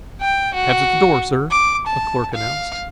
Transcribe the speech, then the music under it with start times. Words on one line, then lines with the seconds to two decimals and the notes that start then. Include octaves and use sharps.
"Cab's at the door, sir," a clerk announced.
0.21 G5
0.54 F#4
1.51 D6
1.87 A5
2.34 F5